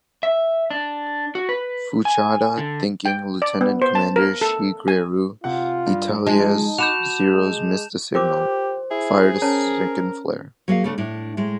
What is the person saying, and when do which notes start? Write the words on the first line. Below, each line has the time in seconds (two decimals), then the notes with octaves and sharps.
Fuchida thinking Lieutenant Commander Shigeru Itaya's Zero's, missed the signal, fired a second flare.
0.23 E5
0.70 D4
1.35 F#4
1.49 B4
2.05 G#5
2.58 D3
3.05 G5
3.42 D5
3.61 B3
3.82 C5
3.95 A5
4.16 A#4
4.41 A4
4.88 G#5
5.44 C3 F4 F#5
5.87 G2
6.27 F3 G#3 D#4 A5
6.79 F#4 B5 D6 F#6 G6 E7 F7
7.33 G#3
8.15 F4 G4 A#4 C5 D6
8.91 E4 G#4
9.42 C#4 A#4 C#5 A5
10.68 F#3 A#3 G#4 F5
10.84 C#3 A3 D4
10.98 A2 D4
11.37 A2 G#3